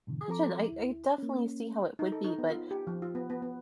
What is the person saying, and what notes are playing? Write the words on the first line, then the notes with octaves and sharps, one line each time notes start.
can imagine. I I definitely see how it would be, but
G#2 B2 D3 E3
F3 C4 A4 A#5 D6
D2 E4
A#3 C#4
D#4
A4
D#4
B3
F4
G4
F3
F4
B3
B3
B3